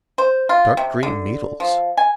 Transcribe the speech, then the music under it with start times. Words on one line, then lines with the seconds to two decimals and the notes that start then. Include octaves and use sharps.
Dark-green needles!
0.18 C5
0.49 F4
0.77 C3
1.03 D3
1.60 F3
1.97 G#5